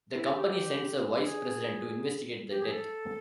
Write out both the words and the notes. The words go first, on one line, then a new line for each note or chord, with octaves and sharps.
The company sends a vice president to investigate the death.
E4
G4
G#4
G4
G#4
A4